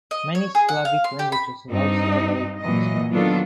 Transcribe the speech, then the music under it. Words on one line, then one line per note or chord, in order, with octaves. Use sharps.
Many Slavic languages allow syllabic consonants.
D#5
C#5
G#4
F#5
F5
C6
G4
B5
G2 C4 D#4 D#5
A#2 E3 F#3 D#5
D#3 F#3 B3 D4 F4 A4